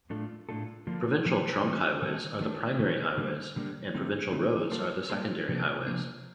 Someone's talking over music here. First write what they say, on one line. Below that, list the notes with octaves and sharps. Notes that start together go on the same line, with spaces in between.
Provincial Trunk Highways are the primary highways, and Provincial Roads are the secondary highways.
A2 A3 D4 F4 A4
A2 A3 D4 F4 A4
D3 F3 A#3 D4 F4
D3 F3 A#3 D4 F4
D#3 G3 C4 D#4 A4
D#3 G3 C4 D#4 A4
D#3 A3 D4 F4 A#4
D#3 A3 D4 F4 A#4
D3 G3 A#3 D4
D3 G3 A#3 D4
D3 A3 C4 D#4
D3 A3 C4 D#4
G3 A#3 F4 A4 C5
G3 A#3 F4 A4 C5
C3 F3 A#3 D4
C3 F3 A#3 D4